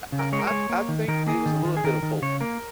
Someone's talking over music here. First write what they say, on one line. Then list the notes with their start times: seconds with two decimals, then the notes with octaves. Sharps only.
I I I th I think it was a little bit of both,
0.12 C#3
0.19 A#4
0.33 G#3 C#5
0.39 A#4
0.47 G#3 C#5
0.69 A#3
0.89 D#3
1.08 D#3 A#4
1.27 A#3 G#4
1.46 D#3
1.65 D#3
1.77 G#4
1.84 D#3 A#4
2.03 D#3
2.22 C#3 C#5
2.41 A#3 A#4